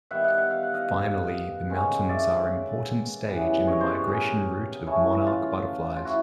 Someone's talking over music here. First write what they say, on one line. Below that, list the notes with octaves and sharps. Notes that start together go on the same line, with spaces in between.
Finally the mountains are important stage in the migration route of monarch butterflies.
D#3 G3 B3 E5 F#5
E5 F#5
E5 F#5
F5
F#5
D#5 F5
D#3 G#3 C#4
D5 E5
C#3 E3 G3 B3
C#5 D#5
C5 D5
B4 C#5
G#4 A#4
E3 A3 C#4 E4
E4
F4
F4
E4 F#4